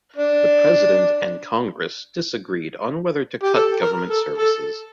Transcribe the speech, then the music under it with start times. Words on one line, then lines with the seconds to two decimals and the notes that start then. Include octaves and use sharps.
The president and congress disagreed on whether to cut government services.
0.16 D4
3.43 G4
3.55 A4
3.82 A#4
4.10 A4
4.38 A4